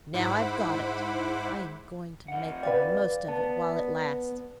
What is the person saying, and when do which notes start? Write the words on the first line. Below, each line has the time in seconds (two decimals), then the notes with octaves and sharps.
And now I've got it I am going to make the most of it while it lasts.
0.14 G#2 E4 C5 F#5 B5 D6
2.28 F2 F#5
2.63 B4 D5 F5 G5
3.28 B3 A5